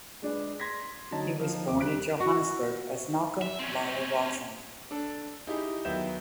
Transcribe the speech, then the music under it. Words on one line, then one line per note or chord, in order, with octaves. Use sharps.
He was born in Johannesburg as Malcolm Lyall-Watson.
G#3 D4 G#4 B4
C6 G#6 A#6 B6
D3 F#3 D#4 A5
F3 D#4
D#2 D6
G3 F#6 D7
F#4
E5
C4 C#4
D4 A4
D#4 E4 G4 G#4
D#2 F#3 B3 E5 G6 E7